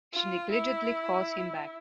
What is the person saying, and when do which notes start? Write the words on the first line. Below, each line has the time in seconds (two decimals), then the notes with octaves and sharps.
She negligently calls him back.
0.13 F4
0.51 E4